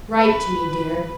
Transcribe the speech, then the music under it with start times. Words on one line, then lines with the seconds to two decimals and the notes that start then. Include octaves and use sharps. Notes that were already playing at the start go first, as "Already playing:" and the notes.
Write to me, dear.
0.17 B4